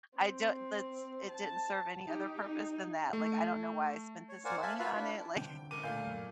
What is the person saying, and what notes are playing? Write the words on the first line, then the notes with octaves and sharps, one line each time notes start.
I don't that's it didn't serve any other purpose than that. Like, I don't know why I spent this money on it, like,
C4
A5
D#4 G4
D#4
A3
C#5
A#4 C5 D5 F5 F#5 G#5
E5 F5 G#5 A5
F4 F#4 B4 E5 F5
D4 E4
D3 G3 C4 G5
C#2 A#4 D6 D#7
A#2 A3 F5 G6
F#2 F#3 G3